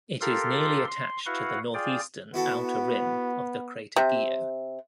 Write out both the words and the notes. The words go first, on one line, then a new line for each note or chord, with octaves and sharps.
It is nearly attached to the northeastern outer rim of the crater Guyot.
F4 G4 A4 A#4 C6
C6
E4 F#4 B4 F5 F#5
F4 G#4 D5 G5
B3 E4 F#4 A4
C3